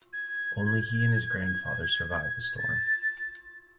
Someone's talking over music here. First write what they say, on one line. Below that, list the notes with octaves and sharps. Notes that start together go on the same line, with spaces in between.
Only he and his grandfather survived the storm.
G#6
A6